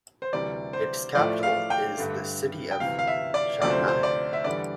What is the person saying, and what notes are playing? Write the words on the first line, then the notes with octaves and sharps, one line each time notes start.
Its capital is the city of Chania.
C5
D2 C3 E3 G3 D5
C5
A2 F3 A3 D5
F5
G5
G2 D3 A3
G5
D2 C3 E3 F5
F5
E5
D5
D2 C3 F3 A3 D5
C5
C5
D5
E5
E2 D3 G3 D5